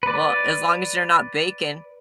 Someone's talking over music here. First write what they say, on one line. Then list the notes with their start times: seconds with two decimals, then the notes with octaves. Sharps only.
Well, as long as you're not baking.
0.03 B4 D5